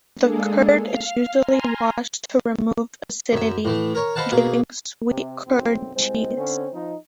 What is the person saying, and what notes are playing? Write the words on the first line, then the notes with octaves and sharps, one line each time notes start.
The curd is usually washed to remove acidity, giving sweet curd cheese.
G#3 A#3 D4 G#4 A4
F5 F6
G#5 A#5 C6 F6
F#2 E5
A2 E3 A3
A#4 C#5
B4 C5 D#5 F5 F#5 A5
B2 A#3 G#4
C3
B1 F#2 C4
C2 G#3 C4
D3 C#4
F3 D#4